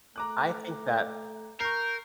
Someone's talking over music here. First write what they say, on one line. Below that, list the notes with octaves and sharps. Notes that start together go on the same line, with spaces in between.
I think that
A3 A#5 D6 F#6
A#4 C#6 G6 C7